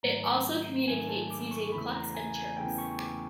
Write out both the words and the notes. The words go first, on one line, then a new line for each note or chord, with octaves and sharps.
It also communicates using clucks and chirps.
G#2 D#3 F#3 A3 A#5
G#2 D#3 F#3 A3 G#5
A5
D6
C#6
E2 C#3 E3 A3 B5
A#5
G#5
G#5
E2 C#3 E3 A3 G5
C#6
D6